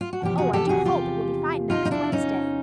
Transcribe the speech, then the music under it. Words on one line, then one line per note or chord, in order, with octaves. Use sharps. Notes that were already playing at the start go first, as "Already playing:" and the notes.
Oh, I do hope it will be fine next Wednesday.
F4
F#4
E2 C3 F3 G4
F#4 G#4
G4 A4
F#4 G#4
F4 G4
D#4 F4
D#4
D4 E4
C#4 D#4